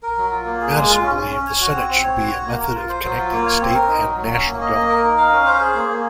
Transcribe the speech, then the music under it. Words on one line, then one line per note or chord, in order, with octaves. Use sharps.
Madison believed the Senate should be a method of connecting state and national government.
A#4
F#3
F4
A#3
G#4
G#3
F4
C#4
C#4
C#4
C#5
F#4
C4
C4
C#5
F#4
C#5
A#3
A#4
F4
C5
F#3
F4
A#3
C#5
C4
A#4
D#4
F#3
F#3
C#4
A#3
D#5
A#3
A#4
D#4
F5
C#4
C5
G#4
A#3
A#3